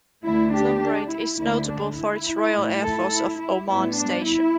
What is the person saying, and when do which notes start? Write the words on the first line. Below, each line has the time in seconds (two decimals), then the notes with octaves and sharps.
Thumrait is notable for its Royal Air Force of Oman station.
0.24 D2 D3 A3 E4
0.54 D4 G4
0.82 D4
1.11 E4
1.38 D2 D3 A3 E4
1.68 D4
1.96 E4
2.53 A2 A3
2.82 E4 A4
3.11 E4
3.39 E4
3.67 A2 G3 B3 E4
3.96 D4
4.24 E4